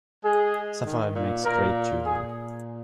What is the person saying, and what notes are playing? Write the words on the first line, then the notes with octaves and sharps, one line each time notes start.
Sapphire makes great jewellery.
G#3 G#4
D#3
A#2
A#2 A#4
A#2 G#4